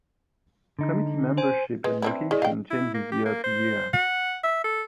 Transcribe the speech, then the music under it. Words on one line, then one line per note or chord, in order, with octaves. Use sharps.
Committee membership and location changes year-to-year.
D3 D#4
C5 G#5
G#3 B4
C4 D4 E4
G#3 E4 G#4 D5
D#5 F5 G5
E4
A#3
G4
A#3
C5
F#5
E5
A4